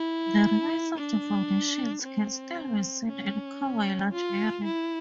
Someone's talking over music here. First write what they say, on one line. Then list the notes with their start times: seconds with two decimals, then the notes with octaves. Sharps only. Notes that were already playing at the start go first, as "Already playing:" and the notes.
The remains of the foundations can still be seen and cover a large area.
Already playing: E4
0.98 D4
2.02 C4
3.07 C#4
4.12 F4
4.64 E4